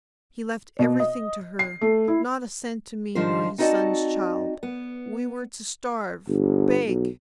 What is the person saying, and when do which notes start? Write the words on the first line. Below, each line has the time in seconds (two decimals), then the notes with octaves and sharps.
He left everything to her--not a cent to me nor his son's child--we were to starve--beg.
0.79 B2
1.00 D#5
1.59 C7
1.81 A3
2.08 E4
3.15 G#2 D#3 F3 D4 C5
3.58 C4 D#4 F#4 D5 D#5 A5
4.63 B3
6.28 G1
6.87 B1